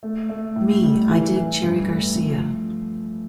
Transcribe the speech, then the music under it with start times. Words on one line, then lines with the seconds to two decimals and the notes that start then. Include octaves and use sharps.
Me, I dig Cherry Garcia.
0.03 A3
0.29 A3
0.56 A2
0.83 G3
1.10 E3
1.36 E3
1.63 G2
1.89 A3
2.15 F3